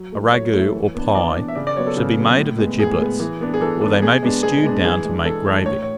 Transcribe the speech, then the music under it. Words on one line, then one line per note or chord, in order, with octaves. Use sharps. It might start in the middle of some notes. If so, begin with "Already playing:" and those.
A ragout, or pie, should be made of the giblets, or they may be stewed down to make gravy.
Already playing: F#3
A3 E4
F#3 C#5
A3 E4
E3
B3 D4
E3 D5
B3 D4
E5
C#3 D5
D5
F#3 B3 C#5
A4
C#3
F#3 B3
A2
G#3 B3
A2 G#4
G#3 B3
E3
B3 D4
G#4
E3 A4
B3 D4
B2 G#4
G#3 B3 D4
B2 G#4
G#3 B3 D4
E3 G#4
G#3 D4
E3 A4
G#3 D4
A2 C#5
C#5